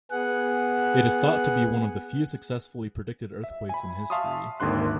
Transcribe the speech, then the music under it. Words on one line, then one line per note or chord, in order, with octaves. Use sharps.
It is thought to be one of the few successfully predicted earthquakes in history.
B3 G#4 F#5
E5
G#5 B5
E5 F5 A5 C6 C#6 D#6
G#1 D#2 D3 C6 F#6